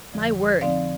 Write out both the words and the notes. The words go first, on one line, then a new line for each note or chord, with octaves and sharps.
My word!
F2 D3 F3
D3 F3 C4 D#4 D5 F5